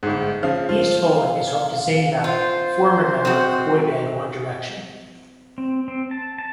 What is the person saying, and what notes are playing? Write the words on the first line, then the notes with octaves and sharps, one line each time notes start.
East Bowling is home to Zayn Malik, former member of boyband One Direction.
G1 G#2
C#3 F3 F5
F4 C5
F5
F4 C5
C4 F#4
C4
C4
A5
A5